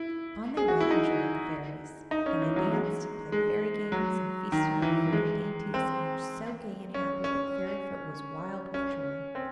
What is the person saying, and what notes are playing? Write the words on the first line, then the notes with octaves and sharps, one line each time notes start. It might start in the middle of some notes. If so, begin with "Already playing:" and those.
On they went and joined the fairies, and they danced and played fairy games and feasted on fairy dainties, and were so gay and happy that Fairyfoot was wild with joy.
Already playing: E4
G#4
F#4
E4
D#4
D#4
C#4
E3
F#3
G#3
G#3
F#3
D#3
E3
G#3
C4
C#4
C#4
C#4
C4